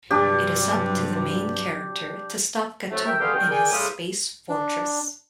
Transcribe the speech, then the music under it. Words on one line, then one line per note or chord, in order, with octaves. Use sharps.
It is up to the main character to stop Gateau in his space fortress.
G2 C3 F#3 D4 G4 D5
A2 C3 F#3 A3
A#4 E5 G5
D3 B3 F4 G4 G#4 F5
C2 D#3 G5
G#4 A#4 D5 G5 G#5
E2 A2 C3 G3 F5 D#6
D4